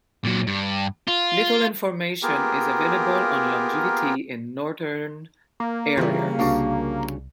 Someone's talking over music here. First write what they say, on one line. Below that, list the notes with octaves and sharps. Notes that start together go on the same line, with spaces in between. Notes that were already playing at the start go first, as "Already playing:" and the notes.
Little information is available on longevity in northern harriers.
A#2 F#3
G2
F4
A#3 B3 F4 G4 G#4 A#4
A#3
C#3 E3 G3 F4 E5
C2 D4 F#4 F5